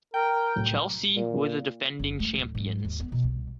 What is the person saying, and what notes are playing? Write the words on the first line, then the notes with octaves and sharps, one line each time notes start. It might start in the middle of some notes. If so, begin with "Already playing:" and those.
Chelsea were the defending champions.
A#4 G5
C2 A2 F#3
A#2
F#1
A3
D1
G#2
D#2
B3
B2
C2